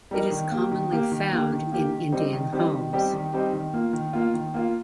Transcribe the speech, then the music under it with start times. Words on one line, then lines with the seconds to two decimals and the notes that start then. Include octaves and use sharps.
It is commonly found in Indian homes.
0.11 G3 D#4 A#4
0.31 D#3
0.51 A#3 G4
0.71 D#3
0.92 A#3 G4
1.12 D#3
1.32 A#3 G4
1.52 D#3
1.72 A#3 G4
1.92 D#3
2.12 G3 C4 D#4 G4
2.33 D#3
2.53 G3 C4 D#4 G4
2.73 D#3
2.93 G3 C4 D#4 G4
3.13 D#3
3.33 G3 C4 D#4 G4
3.53 D#3
3.73 A#3 F4
3.93 D#3
4.13 A#3 F4
4.34 D#3
4.54 A#3 F4